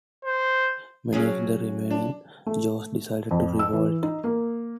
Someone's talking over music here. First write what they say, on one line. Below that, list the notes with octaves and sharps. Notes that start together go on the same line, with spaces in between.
Many of the remaining Jews decided to revolt.
C5
F#3 C#4 G#4
D4
A3
F2
E6
E3
D#4
A#3